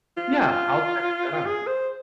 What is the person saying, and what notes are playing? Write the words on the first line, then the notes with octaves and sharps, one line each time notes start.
Yeah. I'll check that out.
F4
G#4
C5